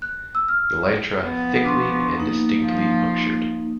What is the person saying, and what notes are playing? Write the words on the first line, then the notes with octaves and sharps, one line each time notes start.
Elytra thickly and distinctly punctured.
F#6
E6
F6
F3 B3
D4 C6 C#6
A#3 D#4
F3 F4